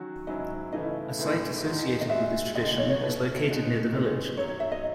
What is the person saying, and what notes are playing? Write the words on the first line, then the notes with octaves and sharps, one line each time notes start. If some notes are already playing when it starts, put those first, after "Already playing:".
A site associated with this tradition is located near the village.
Already playing: D#3 F#3 C#4 F#4
G#2 F#3 C#4 E4 D#5
C#3 E3 A3 C#4 E4 D#5
A2 G#3 B3 E4
E2 D#3 G#3 D#4
D#5
D#3 G#3 D#4 F#4 E5
C#2 C#3 G#3 D#4 D#5
D#5
C#5
C#5
B2 A3 E4 B4
B2 G#3 D#4 F#4
F#2 D#3 G#3 B3 D#4
F#2 D#3 F#3 C#5
C#5
E5
D#5